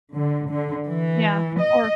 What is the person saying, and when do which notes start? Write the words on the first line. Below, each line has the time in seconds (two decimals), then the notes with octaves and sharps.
Yeah or
0.14 D3
0.49 D3
0.87 E3
1.59 D#5